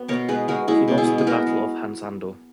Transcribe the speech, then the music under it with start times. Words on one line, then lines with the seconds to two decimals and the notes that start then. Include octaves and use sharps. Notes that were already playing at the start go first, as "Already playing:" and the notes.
He lost the battle of Hansando.
Already playing: B3 F#4
0.08 B2 A#4 C#5
0.28 G#3 G#4 B4
0.48 G#3 F#4 A#4
0.68 G#3 E4 G#4
0.88 B2
0.98 E4 G#4
1.07 G#3
1.18 G#4
1.27 B3 F#4 A#4
1.47 G#3